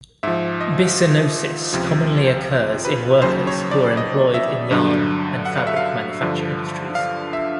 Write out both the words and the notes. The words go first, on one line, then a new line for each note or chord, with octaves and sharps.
Byssinosis commonly occurs in workers who are employed in yarn and fabric manufacture industries.
G#2 F3 E5
D#5
C#2 C3 F3
B4
D#2 C#3 F#3 C5
C#5
D5
D#5
E5
G2 D3 F#3
F#5
F5
E5
F5
G2 D3 F3
F5
E5